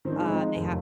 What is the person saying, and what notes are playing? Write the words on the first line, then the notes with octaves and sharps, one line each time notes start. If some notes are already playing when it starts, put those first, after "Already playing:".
U uh, they ha
D#3 F3 C4 D4
F3 G#3 C4 D#4
F1 D#2